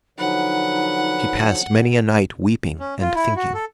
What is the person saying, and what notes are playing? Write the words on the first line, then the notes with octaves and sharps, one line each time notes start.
She passed many a night weeping and thinking.
D3 F3 F#3 D#4 B4 F#5
C#4
F4
E4
F#4
A4